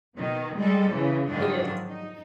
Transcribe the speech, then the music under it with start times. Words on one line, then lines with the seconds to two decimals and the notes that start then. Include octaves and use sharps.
It is.
0.16 B2 D#3
0.56 G3 G#3 A4
0.91 C#3 E3
1.28 G#2 D3 D#3 F3 F#3 D4
1.87 D#4